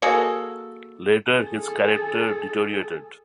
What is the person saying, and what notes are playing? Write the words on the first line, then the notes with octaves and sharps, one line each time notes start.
Later his character deteriorated.
A#3 F#4 G#4 A4
G#4 A4